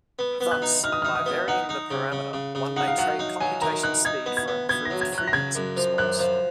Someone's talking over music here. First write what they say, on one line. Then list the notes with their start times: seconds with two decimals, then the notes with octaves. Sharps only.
Thus, by varying the parameter one may trade computation speed for improved frequency response.
0.19 B3
0.41 B3
0.51 F#6
0.62 D#4
0.83 D#4 F6
0.92 D#6
1.02 D#4 F6
1.15 D#6
1.26 B3
1.48 D#4 F#5
1.69 D#4
1.91 C#3
2.12 C#3
2.33 C#3
2.55 C#3
2.76 D#4 F#5
2.87 F5
2.98 F#3 F#5
3.19 D#4
3.40 F#3 G#5
3.62 D#3 A#5
3.83 D#4 F#6
4.05 D#4 G#6
4.26 B3
4.37 G#6
4.48 B3
4.69 B3 G#6
4.85 A#6
4.90 F#3
5.01 G#6
5.12 F#3
5.18 F#6
5.28 A#6
5.33 C#3 G#6
5.55 F#2
5.77 F3
5.98 F#2 F#6
6.19 F3